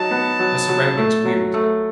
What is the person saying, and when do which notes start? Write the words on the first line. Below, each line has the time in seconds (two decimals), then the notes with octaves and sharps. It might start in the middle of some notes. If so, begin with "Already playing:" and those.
Her surroundings wearied her.
Already playing: F#3 D#4 A5
0.11 B3
0.39 F#3
0.68 F#3
0.97 A3
1.25 F#3
1.54 A3